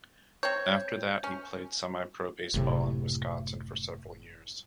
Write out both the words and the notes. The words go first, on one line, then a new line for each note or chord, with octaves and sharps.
After that, he played semipro baseball in Wisconsin for several years.
C4 C#5 G6
C#4
F#1 A2 C3